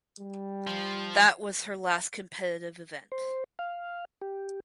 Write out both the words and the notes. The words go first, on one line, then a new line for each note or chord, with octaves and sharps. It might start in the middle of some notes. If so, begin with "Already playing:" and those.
That was her last competitive event.
G3
F3
C5
F5
G4